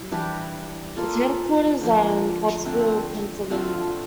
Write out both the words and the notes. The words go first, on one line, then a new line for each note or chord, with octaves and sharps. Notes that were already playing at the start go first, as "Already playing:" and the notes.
Its headquarters are in Pottsville, Pennsylvania.
Already playing: E4
E3 G3 D4 G4
A#3 F4 A4
D3 F3 A#3
D3 A3 C4
D3 A3 C4 F4